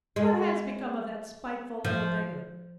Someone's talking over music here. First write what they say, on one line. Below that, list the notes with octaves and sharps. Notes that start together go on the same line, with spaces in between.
"What has become of that spiteful little beggar?"
G#3
F3